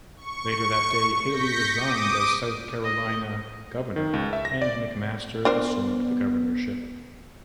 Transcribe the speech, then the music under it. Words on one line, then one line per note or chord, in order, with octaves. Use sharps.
Later that day, Haley resigned as South Carolina governor and McMaster assumed the governorship.
C#6
G6 A#6 B6 C#7
D6 D#6
D#5
D#3
C#2
E5
A#6
D5
B3 D4 A#4 C5